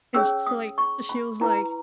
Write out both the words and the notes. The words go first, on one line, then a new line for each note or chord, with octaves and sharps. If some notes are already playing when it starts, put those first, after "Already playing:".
and s so, like, she was like
C#4 G#4 C#5 E6
D#6
C#6
B5
E4 B4 A#5